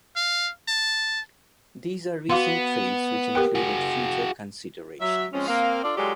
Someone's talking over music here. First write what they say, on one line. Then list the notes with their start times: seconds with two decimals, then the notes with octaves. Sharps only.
These are recent trades which included "future considerations".
0.16 F5
0.68 A5
2.30 B3 F#4 F5 C6
3.35 G4 A#4 G5
3.55 F#4 G#4
5.00 F#3 E5
5.32 F3 G#3 C4 C#4
5.47 A#3 C4 F5
5.83 D4 F4 A4 D5
5.97 F#3 G#3 F4 G4 A4 D5